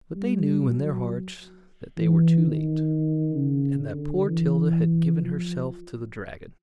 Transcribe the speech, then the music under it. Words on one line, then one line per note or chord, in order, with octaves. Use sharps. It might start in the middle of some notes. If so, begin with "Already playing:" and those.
But they knew in their hearts that they were too late, and that poor Tilda had given herself to the dragon.
G3
F#3
E3
D#3
C#3
D3
E3
F3